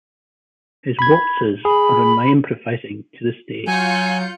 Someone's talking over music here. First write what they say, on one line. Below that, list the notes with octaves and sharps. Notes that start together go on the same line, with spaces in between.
His waltzes are in my improvising to this day.
B5 G#6
G#4 B5
F#3 F4 G#5 G6 C#7